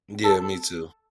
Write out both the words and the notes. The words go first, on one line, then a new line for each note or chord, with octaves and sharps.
Yeah, me too.
A4